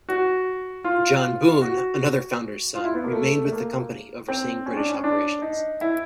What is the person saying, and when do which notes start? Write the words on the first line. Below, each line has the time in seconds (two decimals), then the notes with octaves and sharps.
John Boon, another founder's son, remained with the company, overseeing British operations.
0.09 F#4
0.84 F4
1.61 F#4
2.75 F4
2.84 E4
2.95 B3
3.04 A#3
3.13 A3
3.45 A3
3.52 A#3
4.28 C4
4.66 C#4
4.77 D4
4.90 C#4
5.04 D4
5.42 D#4
5.81 E4